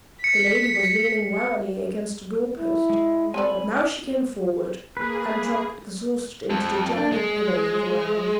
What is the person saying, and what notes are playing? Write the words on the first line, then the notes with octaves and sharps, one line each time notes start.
The lady was leaning wearily against the door-post, but now she came forward, and dropped exhausted into the downy pillows of a lounge.
B6 C#7
E4
G#3
C4 A4 D5 G#5 B5
A#3 G#4 B4
F2
D4
G#3